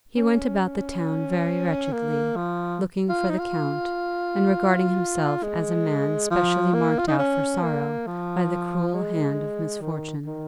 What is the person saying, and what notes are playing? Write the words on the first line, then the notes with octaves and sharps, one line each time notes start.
He went about the town very wretchedly, looking for the Count, and regarding himself as a man specially marked out for sorrow by the cruel hand of misfortune.
C#4
A#3
F3
F4
D#4
F4
G#3
F3
A#3
F4
D#4
C#4
A#3
F3
G#3
D#3
D#3